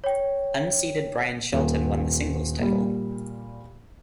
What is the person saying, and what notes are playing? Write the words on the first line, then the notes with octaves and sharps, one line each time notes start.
Unseeded Bryan Shelton won the singles title.
C#5 G5
D#1
A#2 G3